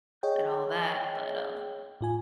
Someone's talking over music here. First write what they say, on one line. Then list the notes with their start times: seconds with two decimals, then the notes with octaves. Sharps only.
and all that, but, um
0.23 G#4 C#5 D#5 G5
2.01 A2 F4 G#5